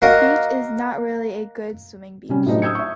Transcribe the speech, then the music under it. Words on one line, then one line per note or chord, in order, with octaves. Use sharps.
The beach is not really a good swimming beach.
A#3 F#4 A#4 D#5 F5
C3 G3 C#4
A2 F#3 D4 D#4 C5
D#6 E6 G6 G#6 C#7
E5 C#6